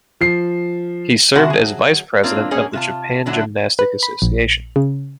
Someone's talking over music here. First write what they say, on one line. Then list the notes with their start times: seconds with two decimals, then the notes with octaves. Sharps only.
He served as vice president of the Japan Gymnastic Association.
0.21 F3 C7
1.35 C3 G#3 E4 F#4 F#5 A5
1.50 F#3 G#4
2.23 A#3 C4 D4 F4 C#5
2.51 F#3 A#3 C#4 G#4 C#5 D#5
2.73 C3 F4 A5
3.26 G#2 D3 F#3 D4 E4 A5
3.79 B4
4.03 B5
4.22 A#1
4.76 C#3